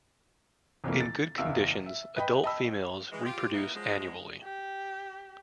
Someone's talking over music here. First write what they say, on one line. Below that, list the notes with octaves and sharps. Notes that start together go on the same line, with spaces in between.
In good conditions, adult females reproduce annually.
C2 F2 E3 F3 A3 A#3
A6
F#1 E2 E5 F5 E6
E5
B4 D#5 G5 B5
D#5 G5 A5 B5 E6
E3 G#3
F4 G4
A#3 B3 D#4 E4
F3 F#3 G#3
G4